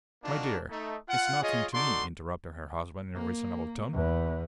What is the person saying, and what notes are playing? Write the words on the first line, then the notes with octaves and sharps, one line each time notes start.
"My dear, it's nothing to me," interrupted her husband, in a reasonable tone.
A#3 D4 D#4 F4 F#4
A3 D#4
F4 F5 F#5
F4 G#4 C#5 D#5
D#4 F#4 A4 D5 C6
A#3
E2